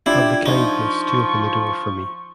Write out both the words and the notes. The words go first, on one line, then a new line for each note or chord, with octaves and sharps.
Have the kindness to open the door for me.
D4 E4 F4 G4 D5 G#6
F3 D#4 C#6